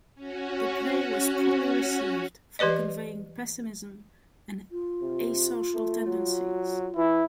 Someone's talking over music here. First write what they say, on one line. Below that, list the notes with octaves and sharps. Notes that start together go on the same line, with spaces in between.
The play was poorly received for conveying pessimism and asocial tendencies.
C#4 F#4
E3 G4 B4 D5 D#5
F4
C3
A3
F#3
E3 E4